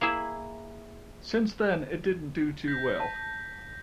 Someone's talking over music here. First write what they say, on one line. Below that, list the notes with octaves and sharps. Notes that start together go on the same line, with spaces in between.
Since then it didn't do too well.
A#3 E4 G#4 E5
G6 A#6 B6
A5